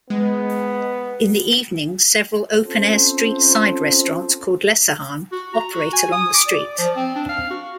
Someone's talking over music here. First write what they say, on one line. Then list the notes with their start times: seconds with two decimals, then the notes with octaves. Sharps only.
In the evening several open-air street side restaurants, called "lesehan", operate along the street.
0.10 G#3 B3
2.63 C4 C#4 F4 A4 C5
5.32 F#4
5.54 A#5
5.73 F#4
5.93 G#5
6.12 D#6
6.34 D6
6.47 D5
6.78 F3
6.96 C4
7.15 D4
7.29 F5
7.50 F#4